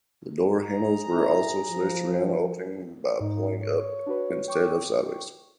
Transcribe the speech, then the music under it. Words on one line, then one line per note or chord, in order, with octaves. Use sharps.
The door handles were also switched around, opening by pulling up instead of sideways.
G#4 A#5
E4
F3
G#2 D#4
C#5
D4 F#4 B4
G5 C#6 D6